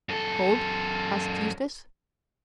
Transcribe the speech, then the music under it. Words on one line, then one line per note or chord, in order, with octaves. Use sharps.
"Cold?" asked Eustace.
F#2 A4